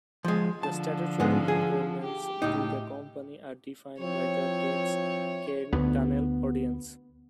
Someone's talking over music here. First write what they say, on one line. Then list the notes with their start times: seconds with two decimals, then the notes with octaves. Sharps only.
The statutory requirements to the Company are defined by the Tate's Cairn Tunnel Ordinance.
0.24 F3 G#3
0.63 D3 F3 A5
1.20 G#2 G#3 B3
1.48 G#4
2.05 G4
2.42 C#2 A2 D#4
4.00 F3 C4 E4 C#5
5.73 D2 B3